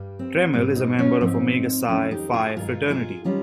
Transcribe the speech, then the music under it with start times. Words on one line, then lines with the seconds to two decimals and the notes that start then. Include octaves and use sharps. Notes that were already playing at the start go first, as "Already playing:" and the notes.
Trammell is a member of Omega Psi Phi fraternity.
Already playing: G2 G3
0.19 C4
0.53 G#2 G3 C4
0.75 C4 D#4
0.99 C#4 F4
1.21 G#2 F3 G#3 C4 D#4
1.88 F2 D#3 G#3 C#4 F4
2.11 D#4 G4
2.33 F4 G#4
2.56 G2 D#3 G#3 F4 G#4
2.90 F4 G#4
3.24 D#3 G3 C#4 F4